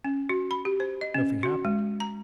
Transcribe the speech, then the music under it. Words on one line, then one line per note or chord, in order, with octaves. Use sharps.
Nothing happened.
C#4
F#4
B5
G4
C5
D#5
C#4
F#4
G#3
A#5